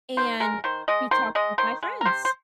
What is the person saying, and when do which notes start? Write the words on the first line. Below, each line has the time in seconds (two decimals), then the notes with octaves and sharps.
And be talking with my friends
0.17 D#3 C5
0.40 G#3 A#4
0.64 D#3 C5
0.88 G#3 D#5
1.11 D#3 C5
1.35 G#3 D#5
1.58 D#3 C5
1.83 G#3
2.01 A#4
2.05 C3 C5
2.25 C5